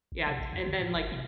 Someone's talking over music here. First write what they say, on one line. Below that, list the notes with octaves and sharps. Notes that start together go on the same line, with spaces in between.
Yeah d and then, like
A1
C3
A#1
E2
D3
A2
G1
C3